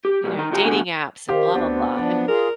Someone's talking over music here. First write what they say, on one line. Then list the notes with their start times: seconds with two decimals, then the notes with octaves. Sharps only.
you know, "dating apps, and blah blah blah," and,
0.05 G4
0.24 A#2 F#3 G3
0.37 D#3 D#4 A#5
0.52 D3 F4 G4 G5 A5 A#5
0.63 C2 B2 D3 A3 F#4 G#5
1.29 D#3 G4 C5 F5
1.55 D2 B3 C4 D4 F#4
1.97 F3 D4 D5
2.28 F4 G#4 A#4